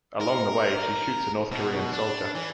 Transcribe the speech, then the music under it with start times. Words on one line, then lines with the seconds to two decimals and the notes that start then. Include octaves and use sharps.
Along the way, she shoots a North Korean soldier.
0.21 A#4
1.52 B2
1.93 D4
2.35 E3